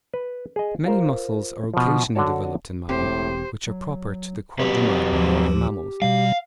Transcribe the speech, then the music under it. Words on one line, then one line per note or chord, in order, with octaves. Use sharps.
Many muscles are occasionally developed in man, which are proper to the Quadrumana or other mammals.
B4
G#4 D#5
F4 A#4 C5
B2 F3
D3 D4 F#4 C#5 A5
E1 A2 C4 G4 C5
F#3
F#3 C4 G4 B4
D#2 F3
B2 G3 F5